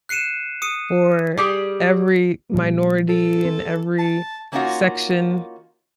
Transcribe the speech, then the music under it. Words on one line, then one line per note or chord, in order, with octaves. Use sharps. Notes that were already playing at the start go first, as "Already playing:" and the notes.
for every minority and every section,
F#6 C7 C#7 D#7 E7
D#6 C#7 D#7
G3 G4 G#4
A#2 E3 G3
A4
C4
A5
E3 A#3 C#4 D#4 F4 F#4